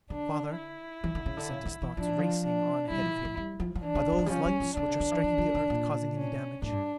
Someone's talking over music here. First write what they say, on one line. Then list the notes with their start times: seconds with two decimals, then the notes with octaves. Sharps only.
"Father," he sent his thoughts racing on ahead of him, "are those lights which are striking the Earth causing any damage?"
0.09 D3 D4
0.57 E4
1.04 E3
1.15 D3
1.26 C#3
1.37 D3
1.49 C#3
1.65 D3
1.82 E3
1.97 F3 D4
2.08 E3
2.18 F3
2.43 D4
2.89 G3 E4
3.02 F3
3.13 A#2
3.25 E3
3.37 G3
3.60 F3
3.75 F3
3.83 E3 D4
3.95 D3
4.12 F3
4.19 E3
4.26 G3
4.30 F3 C#4
4.46 G3
4.60 F3
4.76 D3 D4
4.88 C#3
5.00 D3
5.11 E3
5.23 F3
5.38 F3
5.55 D3
5.70 A#2
6.16 C#4
6.62 A2 D4
6.71 G2